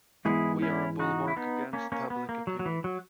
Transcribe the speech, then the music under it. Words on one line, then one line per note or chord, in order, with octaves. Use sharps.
We are a bulwark against public opinion.
G#2 E3 G#3 B3 E4 G#4
C#4 E4
D#4 F#4
E4
B3 D#4
A#3 C#4
A#3 C#4
B3
A#3
F#3
F#3
E3
F#3